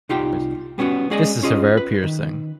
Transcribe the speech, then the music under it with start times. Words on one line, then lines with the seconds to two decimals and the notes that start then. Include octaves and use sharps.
This is a rare piercing.
0.09 C2 D#4 F4 G4 G5
0.78 G3 B3 C#4 D#4 F#4
1.10 G#3 C#4 G#4 D5 D#5 G#5
1.43 C#4 F4 G#4 D#5
1.77 B4
2.04 D#3